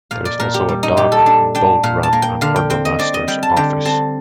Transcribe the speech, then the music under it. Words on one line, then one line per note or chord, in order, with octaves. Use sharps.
There is also a dock, boat ramp and harbormaster's office.
A#2 F5
D5
A#2 A#4
G4
G3
D#4
A#2 G4
A4
D4
D4 G5
A#2 F5
A5
A#3
G5
D3 F5
G5
C4 G5
D#5
C4 D5
D#5
G3 G5
A5
D3 G5
C4 A5